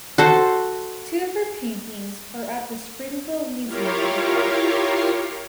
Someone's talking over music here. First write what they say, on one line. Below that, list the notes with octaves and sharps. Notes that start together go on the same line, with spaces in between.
Two of her paintings are at the Springville Museum of Art.
F#4 A4 C5
E4 F4 G4 A#4 C#5 F5